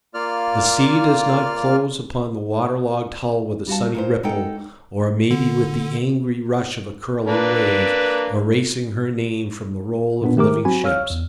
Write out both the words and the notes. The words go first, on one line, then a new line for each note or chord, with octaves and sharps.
The sea does not close upon the water-logged hull with a sunny ripple, or maybe with the angry rush of a curling wave, erasing her name from the roll of living ships.
A#3 F4 D5 F6
G3 F#4 F5 A5
A#2 F4 C5
G#3 D#4 A4 F#5 G5
D3
A#3 D4 B4
A#2 B3 D4
D#3 A3 G4 A#4 D6
F#3 C4 F#4 G#5 B5
C#5 F5 E6 F6
E2